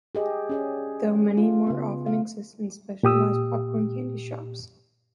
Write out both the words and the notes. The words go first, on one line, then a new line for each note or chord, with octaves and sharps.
Though many more often exist in specialized popcorn candy shops.
G4 G#4 D#5
C#4 G#4 D5
F4
C#3 B3
F5
A#2 G4 D#6 E6